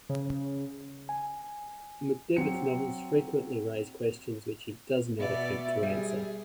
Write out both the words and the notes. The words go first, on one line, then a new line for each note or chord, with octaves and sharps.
McDevitt's novels frequently raise questions which he does not attempt to answer.
C#3
G#5
F#3 C4 C#7
B2 B3 D5 E5
G3 G#4